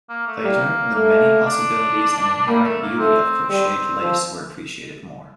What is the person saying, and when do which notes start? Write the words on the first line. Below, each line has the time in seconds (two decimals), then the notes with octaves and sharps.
Later, the many possibilities and inherent beauty of crocheted lace were appreciated more.
0.09 A#3
0.27 A3
0.44 G3 A#3
0.95 A3 A#3
1.46 D4
2.47 G3 A#3
2.64 A3
2.82 A#3
2.98 A3 C4
3.49 G3 C4
4.00 F3 C4